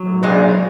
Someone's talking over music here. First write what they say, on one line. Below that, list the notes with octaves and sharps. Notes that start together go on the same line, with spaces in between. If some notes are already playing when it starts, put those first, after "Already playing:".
Uh Right.
Already playing: F#3
A#2 G#3 D4 G#4